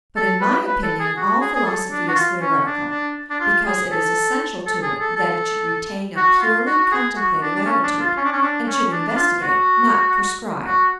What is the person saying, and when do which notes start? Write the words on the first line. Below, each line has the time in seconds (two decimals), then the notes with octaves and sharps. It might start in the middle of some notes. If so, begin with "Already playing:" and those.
But, in my opinion, all philosophy is theoretical, because it is essential to it that it should retain a purely contemplative attitude, and should investigate, not prescribe.
0.16 A4
0.41 B4
0.66 B4
0.83 A4
1.00 G#4
1.16 F#4
1.41 G#4
1.55 G#4
1.66 A4
1.91 D4
2.09 F#4
2.16 F4
2.41 C#4
2.66 D4
2.90 D4
3.30 D4
3.41 F4
3.66 G#4
3.91 A4
4.66 A4
4.82 G#4
5.00 A4
5.16 A4
6.17 F#4
6.41 F4
6.67 F#4
6.80 F#4
6.92 G#4
7.16 F#4
7.42 D4
7.56 D4
7.66 C#4
7.83 D4
8.00 F4
8.17 C#4
8.24 D4
8.33 C#4
8.42 D4
8.66 C#4
8.92 D4
9.08 D4
9.16 F4
9.42 F#4
10.66 F#4